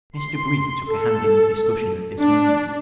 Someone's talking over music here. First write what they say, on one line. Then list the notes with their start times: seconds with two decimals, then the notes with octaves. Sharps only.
Mr. Brief took a hand in the discussion at this moment.
0.16 C6
0.89 A4
2.19 D4